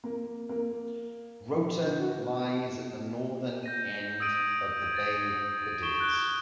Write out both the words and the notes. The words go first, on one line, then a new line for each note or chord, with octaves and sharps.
Rota lies at the northern end of the bay Cádiz.
A#3
A#3
A#1
D3
F#4
G6 A#6 D#7
D#6 E6 G#6 D7 D#7 F#7
G#6 A6
C#6 G#6 D7 E7 G7
F#6 G#6